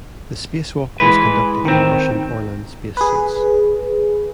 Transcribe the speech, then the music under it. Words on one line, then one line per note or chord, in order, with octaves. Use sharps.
The spacewalk was conducted in Russian Orlan spacesuits.
E3 G#3 B4
D#3 C4
G#4 B4